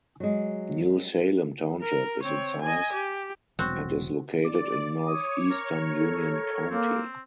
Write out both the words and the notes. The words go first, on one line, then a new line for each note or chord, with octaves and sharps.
New Salem Township is in size and is located in northeastern Union County.
F#3 G#3
A#4
C4 C#5
D#5 G#5
G4
E1 C2 F#3 C4 F#4
D5 D6
C#5 D#6
A#4
A4
A#3 C4